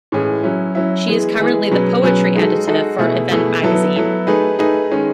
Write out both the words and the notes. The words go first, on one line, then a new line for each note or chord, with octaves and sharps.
She is currently the Poetry Editor for Event Magazine.
A2 E3 G#3 C#4 G#4
F#3 C#4 E4
F#3 C#4 E4
E3 G#3 B3 E4 G#4
E3 G#3 B3 E4 G#4
B2 F#3 C#4 G#4 B4
B2 F#3 C#4 G#4 B4
G#3 D#4 F#4 A4
G#3 D#4 F#4 A4
B2 A3 E4 G#4
B2 A3 E4 G#4
F#3 B3 E4 A4
F#3 B3 E4 A4
A3 D#4 G#4 B4
A3 D#4 G#4 B4
D#3 G#3 C#4